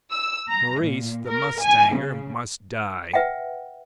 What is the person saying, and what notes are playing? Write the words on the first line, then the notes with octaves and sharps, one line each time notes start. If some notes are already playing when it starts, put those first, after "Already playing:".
Maurice, the mustanger, must die!
E6
A#5
A#2
A#4
G#5
C#3
B4 E5 F#5 G5